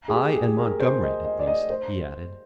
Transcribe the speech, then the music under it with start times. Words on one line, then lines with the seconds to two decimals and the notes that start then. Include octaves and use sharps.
"I and Montgomery, at least," he added.
0.08 G#4
0.13 G4
0.36 G#4
0.46 G#4
0.58 A#4
0.80 C5
1.03 D#5
1.24 D#5
1.39 D5
1.47 D#5
1.70 C5